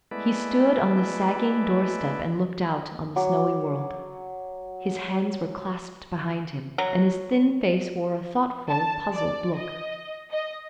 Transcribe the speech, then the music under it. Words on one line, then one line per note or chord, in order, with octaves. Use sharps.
He stood on the sagging doorstep and looked out on the snowy world. His hands were clasped behind him, and his thin face wore a thoughtful, puzzled look.
G#3 A3 B3 E4 B4 D5
F#3 D6
F#3
A5
D5
D#5
D#5